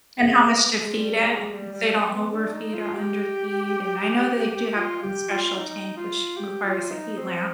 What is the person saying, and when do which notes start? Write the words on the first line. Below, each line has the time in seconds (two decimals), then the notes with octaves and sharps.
And how much to feed it, so you don't overfeed or underfeed, and I know they do have their own special tank, which requires a heat lamp.
0.18 G#3
0.45 B3
0.72 G#3
0.99 G3
1.26 G#3
1.53 G3
1.73 G3
2.13 B3
2.33 D4
2.53 D#4
2.74 F4
2.94 G4
4.76 F4
5.03 G4
5.29 F4
5.56 D#4
5.97 F4
6.37 G4
6.63 F4
6.91 D#4
7.18 C4